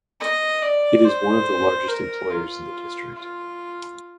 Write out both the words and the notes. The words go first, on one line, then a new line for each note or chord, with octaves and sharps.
It is one of the largest employers in the district.
D#5
D5
C5
A#4
F4
F4